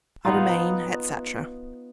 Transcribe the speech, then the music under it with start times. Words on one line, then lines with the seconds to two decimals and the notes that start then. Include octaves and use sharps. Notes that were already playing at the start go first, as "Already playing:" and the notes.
I remain, etc.
0.25 B3 D#4 F4